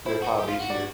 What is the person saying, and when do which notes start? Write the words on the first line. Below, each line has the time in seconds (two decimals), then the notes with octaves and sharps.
your hobbies and your
0.06 E4 C5
0.22 F#4
0.39 G4
0.48 F4
0.60 F#4
0.70 D5